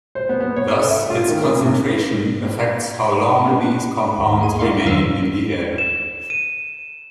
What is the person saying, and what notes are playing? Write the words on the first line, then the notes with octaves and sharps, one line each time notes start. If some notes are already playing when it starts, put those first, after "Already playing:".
Thus, its concentration affects how long these compounds remain in the air.
C5
B3
B3
C#5
A4
E5
F4
D#3
A#3
C3
A#3 B3 C#4 D4 G4
F#5
D#2 G#2 D#3
A#3 G#4 D#7
E4 A#4 D5 F5 C6 C#6
F2 D#3 F3 F#3 F5 E6
E7
D#7